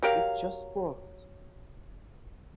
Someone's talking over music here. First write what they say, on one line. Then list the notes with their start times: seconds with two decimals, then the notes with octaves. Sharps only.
It just worked.
0.02 F#3 G4 A#4 F5